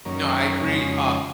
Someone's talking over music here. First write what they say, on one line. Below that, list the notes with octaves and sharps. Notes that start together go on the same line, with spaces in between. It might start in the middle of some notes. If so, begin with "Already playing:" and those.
No, I agree, uh,
F#2 D#3 A#3 C#4
F2 C#3 G#3 D#4